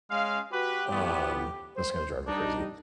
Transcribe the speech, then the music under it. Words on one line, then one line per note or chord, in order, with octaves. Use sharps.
Um, that's gonna drive me crazy.
G#3 C#4 F5
F#4 G4 B4
A2 E3 B3
C5
G3 D4 D#4